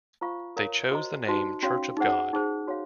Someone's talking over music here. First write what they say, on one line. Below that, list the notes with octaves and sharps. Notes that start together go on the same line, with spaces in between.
They chose the name Church of God.
F4 C5 F5 A#5 C#6
A#4 C#5 F5 A#5
F#4 C5 D#5 A#5
D#4 F#4 C5
C#4 F#4 C#5 F5
D#4 G#4 C5 F#5
D#4 G#4 C5
F#4 C#5 F5